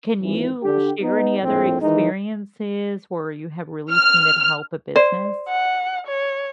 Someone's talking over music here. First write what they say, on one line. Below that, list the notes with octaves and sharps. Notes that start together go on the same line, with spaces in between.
Can you share any other experiences where you have really seen it help a business?
G#1 E3
D3 G4
B3 D#4
A#1 F2 A2 C4
D#3 E3 G#3 D#4
F6
C5 D5
F#5
C#5